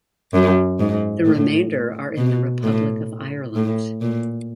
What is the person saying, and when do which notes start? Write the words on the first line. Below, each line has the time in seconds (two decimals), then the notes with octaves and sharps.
The remainder are in the Republic of Ireland.
0.33 F#2
0.79 G#2
1.25 A2
2.17 B2
2.63 A2
3.55 A2
4.01 A#2